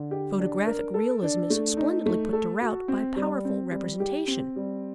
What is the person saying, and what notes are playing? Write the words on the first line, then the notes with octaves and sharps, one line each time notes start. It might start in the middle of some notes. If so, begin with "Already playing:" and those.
Photographic realism is splendidly put to rout by powerful representation.
Already playing: D3
G4
D4
A#4
A4
D4
A3
D#4
A3
A4
F#4
C4
G3
C4
G3
G4
C4
G3